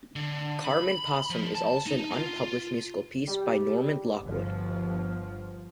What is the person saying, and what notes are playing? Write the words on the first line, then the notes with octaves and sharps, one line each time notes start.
Carmen Possum is also an unpublished musical piece by Normand Lockwood.
D3
B5
F3
A5
D#4
F4
G3
G1 F3